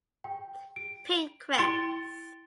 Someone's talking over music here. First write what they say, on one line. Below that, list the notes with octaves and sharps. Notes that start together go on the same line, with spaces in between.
Pink Cres.
G5
D7
E4 G5 C6 A6 D7 G7